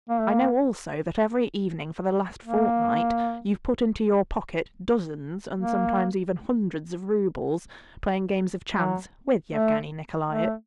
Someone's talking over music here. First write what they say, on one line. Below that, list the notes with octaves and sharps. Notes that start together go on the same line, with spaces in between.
I know also that every evening for the last fortnight you've put into your pocket dozens and sometimes even hundreds of roubles, playing games of chance with Yevgeny Nikolaitch.
A#3
A3
A#3
A#3
A#3
F#3
A3
A3